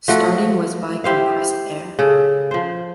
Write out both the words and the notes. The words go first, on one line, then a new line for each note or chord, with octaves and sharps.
Starting was by compressed air.
F3 A3 F#4
E4 G4 C5 F5
C#3 A4
F3 C5